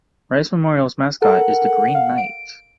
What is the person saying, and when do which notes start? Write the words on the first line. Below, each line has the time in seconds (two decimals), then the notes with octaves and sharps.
Rice Memorial's mascot is the Green Knight.
1.22 A4 A#4 F#5
1.95 F5
2.18 D7